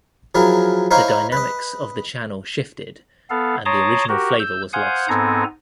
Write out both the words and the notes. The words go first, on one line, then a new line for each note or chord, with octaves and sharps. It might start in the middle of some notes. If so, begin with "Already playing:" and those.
The dynamics of the channel shifted and the original flavor was lost.
F3 F#3 E4 G#4 A#4
D#4 E4 C5 C#5 F5 A#5
B4 D#5
B3 A4 F5
C#5 A5 A#5 C6 D6 D#6
F#4 G4 A#4
E6 G6
C5 F5 F#5 G#5 D#6 G6
G#2 B3 C4 A4 G#5 A#5